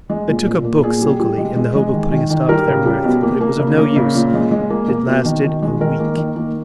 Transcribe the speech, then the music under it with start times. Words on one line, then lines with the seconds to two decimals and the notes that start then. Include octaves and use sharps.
I took a book sulkily, in the hope of putting a stop to their mirth, but it was of no use: it lasted a week.
0.10 G#3
0.28 A#2
0.46 A#2
0.64 A#3
0.83 A#2 G#4
1.01 G3
1.20 G3
1.38 G#3
1.56 G#3
1.75 G#3
1.93 D#3
2.12 D#3
2.30 D#3
2.49 G3 A#4
2.68 C#3
2.85 G3
3.04 B2
3.23 A#3
3.41 A#3
3.59 C#3
3.77 A#3
3.96 C#3
4.15 A#2
4.33 G#3
4.51 G#3
4.70 A#3
4.88 A#3
5.07 B2
5.25 D#3
5.44 D#3
5.62 G#3
5.80 D#3 A#4
5.99 A#3
6.17 D#3
6.36 A#3